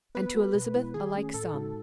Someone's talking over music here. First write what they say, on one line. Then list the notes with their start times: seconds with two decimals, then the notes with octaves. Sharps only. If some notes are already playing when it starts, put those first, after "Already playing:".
"And to Elizabeth a like sum."
0.15 B3 B4
0.34 F#4 A4
0.54 B2
0.74 G#3 B3 E4
0.94 D#3 G#4
1.15 A3 C#4
1.34 A2 A4
1.54 G#3 D#4 F#4